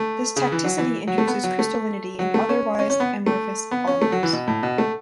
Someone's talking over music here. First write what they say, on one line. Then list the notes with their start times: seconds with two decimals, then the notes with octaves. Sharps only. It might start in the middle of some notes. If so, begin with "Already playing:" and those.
This tacticity introduces crystallinity in otherwise amorphous polymers.
Already playing: A3
0.36 C#3
0.52 E3
0.64 F#3
0.78 E3
1.07 F#3
1.18 A3
1.27 B3
1.44 F#3
1.59 A3
2.19 F#3
2.34 A3
2.49 C#4
2.80 C#4
2.90 C#4
3.00 B3
3.26 A3
3.71 B3
3.87 C#4
4.02 A3
4.12 F#3
4.23 E3
4.33 B2
4.48 A2
4.63 B2
4.78 A3